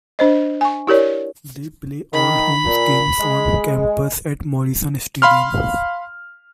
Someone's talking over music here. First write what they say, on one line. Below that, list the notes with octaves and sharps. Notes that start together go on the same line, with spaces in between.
They play all home games on campus at Morrison Stadium.
D4 C5 D#5
G#5 C#6
E4 G4 A#4 C#5 D5
D#3 B5
A#2
G#3
F5 B5 C6 F6